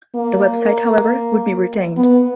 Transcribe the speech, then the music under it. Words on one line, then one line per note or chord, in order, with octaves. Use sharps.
The website, however, would be retained.
A#3
B3